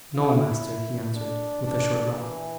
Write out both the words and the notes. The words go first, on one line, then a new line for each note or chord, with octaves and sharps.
'No, master,' he answered with a short laugh.
E4
D4
D4
E3